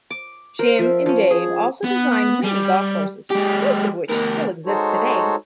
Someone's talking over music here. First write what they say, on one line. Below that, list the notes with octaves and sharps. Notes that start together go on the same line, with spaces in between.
Jim and Dave also designed many golf courses, most of which still exist today.
D6
A#4 C5
F3 E5
F3 C#4
G#4
B3
G3
G#3 G4
D2 A#4
G#3 D#4 F#4 A4 C5 C#5